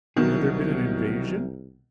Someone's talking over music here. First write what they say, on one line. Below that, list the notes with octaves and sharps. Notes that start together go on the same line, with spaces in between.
Had there been an invasion?
C2 B2 D#3 F#3 E4 G#4